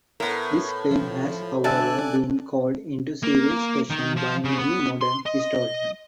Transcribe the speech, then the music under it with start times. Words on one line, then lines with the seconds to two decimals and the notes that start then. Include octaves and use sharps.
This claim has, however, been called into serious question by many modern historians.
0.20 A2 B3 A#4
0.91 F3
1.64 G2 D3 D5 E5 G#5 A5 F#6
3.23 A#3
3.90 D#3
4.17 F3
4.45 C#3
4.58 B3
5.01 C6
5.26 D#5